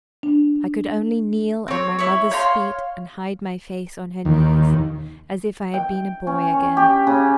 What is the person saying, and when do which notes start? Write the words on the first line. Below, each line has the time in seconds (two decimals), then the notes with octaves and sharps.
I could only kneel at my mother's feet, and hide my face on her knees, as if I had been a boy again.
0.23 D4
1.68 C4 C#5
1.99 E4 C#5
2.31 C#5 F5 A#5 C6
4.25 D#2
5.74 G5
6.27 C#4
6.53 C#5
6.77 G4
7.07 C#3